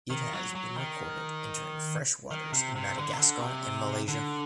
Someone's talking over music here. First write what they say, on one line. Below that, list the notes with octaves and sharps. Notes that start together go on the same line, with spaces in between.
It has been recorded entering fresh waters in Madagascar and Malaysia.
D#3
F#3
F#3
D#3
D#3
C3
C3
D3
C3
D3
C3
D3